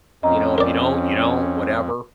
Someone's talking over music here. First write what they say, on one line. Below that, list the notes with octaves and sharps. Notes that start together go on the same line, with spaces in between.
you know, "If you don't, you don't, whatever."
F2 C#4 D#5 A#5
A#4 D5